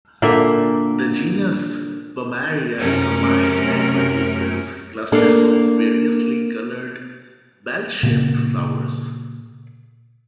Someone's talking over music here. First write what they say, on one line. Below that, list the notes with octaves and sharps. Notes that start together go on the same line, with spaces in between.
The genus "Bomarea" is a vine that produces clusters of variously-colored, bell-shaped flowers.
A#2 D3 A#3 E5
F#2 C3 A3 C#4 A#4
A#3 D4 A4
A#2 C#3 A#3